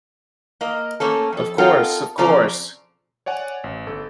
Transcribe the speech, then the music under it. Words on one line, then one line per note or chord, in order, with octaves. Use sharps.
Of course, of course!
A#3 A#4 D#5
A3 A#3 C#4 A4
F2 A4
C4 D#4 F4 A4 A#4 F#5
C#3 F3 C4 A4 D5 A#5
C#5 D5 F#5 G#5
A1
G1 A4